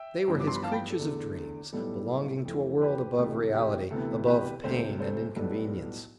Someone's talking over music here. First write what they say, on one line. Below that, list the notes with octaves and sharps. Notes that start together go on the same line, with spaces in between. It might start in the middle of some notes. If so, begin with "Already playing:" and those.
They were his creatures of dreams, belonging to a world above reality, above pain and inconvenience.
Already playing: E5 G5
A1 G2 F3 B3
D6
C6
B5
F5 A5
G5 B5
A4
E2 D3 A3
B1 A2 G3 B3 A4
F2 E3 A3
G4 B4
D2 C3 E3 A3
G4
D2 C3 E3 B3 A4
G4 B4
E1 D2 C3 A4 C5
A4 C5
B1 A2 G3 B3 A4